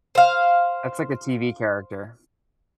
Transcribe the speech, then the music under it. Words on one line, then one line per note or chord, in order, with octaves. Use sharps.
That's like the TV character.
C5 F5